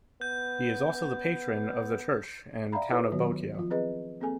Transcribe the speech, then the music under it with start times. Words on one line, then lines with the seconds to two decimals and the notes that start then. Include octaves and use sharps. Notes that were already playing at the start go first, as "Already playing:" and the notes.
He is also the patron of the church and town of Bocaue.
0.21 B3 G6
2.72 D5 E5 F5 G5 A#5 B5
2.89 E4 F4 G4 A4 B4 C#5
3.12 D#3 F#3 B3 F#4
3.55 F3 F4
3.70 C4 G#4 B4 D#5
4.21 A#3 C4 G#4 A4 G#5